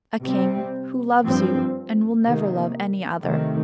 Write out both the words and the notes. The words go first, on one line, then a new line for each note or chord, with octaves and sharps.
"A king, who loves you, and will never love any other."
C3 G3 C4
G2 F3 C4
C3 D#3 A#3
C3 D#3 A3